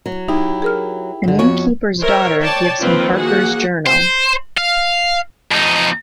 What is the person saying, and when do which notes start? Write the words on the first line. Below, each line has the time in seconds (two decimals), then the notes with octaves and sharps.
An innkeeper's daughter gives him Harker's journal.
0.06 F#3
0.28 D#4 E4 G4
0.62 G#4 A#4 F6
1.24 G2 D3
1.39 F2 F3 B3 F#4 C#5 G#5
2.01 A#4 C5 C#5 E5
2.41 C#5 D5 G5 A5
2.81 D#3 F3 A#3 C4 F4 B4
3.18 A#3 F#4 G#4 F#5
3.87 C5
4.57 F5
5.51 F2 D#4